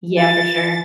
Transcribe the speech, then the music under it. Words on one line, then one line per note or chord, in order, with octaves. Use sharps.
Yeah, for sure.
F4 A6